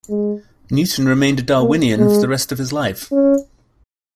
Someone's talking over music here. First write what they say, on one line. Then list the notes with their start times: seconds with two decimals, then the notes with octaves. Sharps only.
Newton remained a Darwinian for the rest of his life.
0.09 G#3
1.61 A#3
1.98 G#3
3.12 C#4